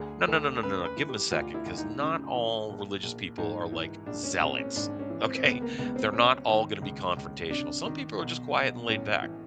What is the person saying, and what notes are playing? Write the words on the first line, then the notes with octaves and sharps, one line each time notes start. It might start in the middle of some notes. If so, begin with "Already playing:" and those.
"No, no, no, no, no, no, give 'em a second 'cause not all religious people are like zealots, okay, they're not all gonna be confrontational; some people are just quiet and laid-back.
Already playing: D2 G#4
D2 A4
C#3 B4
B4
E3
G4
D2 F4
E4
D2
D#4
C#3
E3
A#1
A#1
G#2 D#4
E3
A#1 D4
C#4
A#1 C4
C#4
G#2 D4
C#4
E3
C4
C4
C#2 B3
A#3
C#2 B3
C4
C3 C#4
D#3
C#2
C#2
C3 D4
D#3
B1
B1
A2 C#4
E3